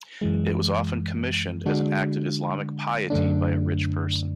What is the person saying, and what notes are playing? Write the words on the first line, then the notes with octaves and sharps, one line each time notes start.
It was often commissioned as an act of Islamic piety by a rich person.
F#2 E3 G#3
D3 G#3 D4 F#4
F#2 D3 A3 D4